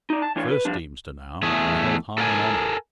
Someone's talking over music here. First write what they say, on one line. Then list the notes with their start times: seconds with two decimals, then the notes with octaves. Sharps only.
First Deemster now, and held high in honour!
0.10 D#4 D5
0.22 A5
0.36 E3 D4 F4 C#5
0.51 B4
0.65 F3 G3 D4
1.43 E2 A3 G#4
2.18 A4 A#4 F5 G#5